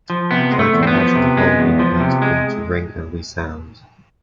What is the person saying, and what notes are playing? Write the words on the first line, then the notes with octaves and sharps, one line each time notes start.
Try to imagine the whole universe beginning to ring and resound.
F3
C3 B3
G#3
A3
E2
C4
B3
F3
C3
G#3
E2
F3
C3
G#3